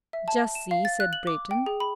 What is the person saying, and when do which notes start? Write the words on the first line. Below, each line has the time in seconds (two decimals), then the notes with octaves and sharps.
"Just see," said Breton.
0.13 E5
0.28 A5
0.55 E7
0.71 F5
0.85 A6
1.00 F#6
1.13 F#7
1.27 D6
1.51 G5
1.66 G#4
1.80 B5